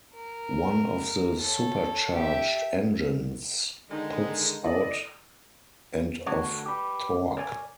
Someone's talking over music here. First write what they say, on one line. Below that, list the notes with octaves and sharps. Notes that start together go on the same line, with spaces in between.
One of the supercharged engines puts out and of torque.
A#4
A4 C#5
G4 E5
D3 D#3 G#3 D#4
E4 A4 D5 D#5
D3 A3 D4 F#4 C#5
G4 B4
A#4 C#5 D5 G#5